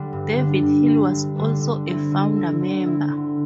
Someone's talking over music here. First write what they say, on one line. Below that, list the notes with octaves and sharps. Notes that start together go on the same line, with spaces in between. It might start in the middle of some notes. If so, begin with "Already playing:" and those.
David Hill was also a founder member.
Already playing: D3 G3 D4
G2
D3 G3 D4
G2
D3 G3 D4
G2
D3 G3 D4
D3
C4 E4
D3
C4 E4
D3
C4 E4
D3